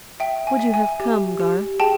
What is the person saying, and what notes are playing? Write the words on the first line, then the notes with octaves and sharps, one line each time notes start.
Would you have come, Garth?
E5 G5
G#5
E5
G#5
G4
G4
G#4 G5 A5